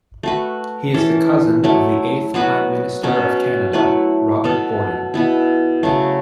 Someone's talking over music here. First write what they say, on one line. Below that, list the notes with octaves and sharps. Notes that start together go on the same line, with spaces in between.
He is the cousin of the eighth Prime Minister of Canada, Robert Borden.
A3 F#4 B4
E3 C#4 A4
F#3 A3 E4
F#3 B3 F#4 B4
B2 F#3 C#4
F#3 A3 E4 B4
B2 B3 A4
B2 B3 E4
C#3 F#3 A3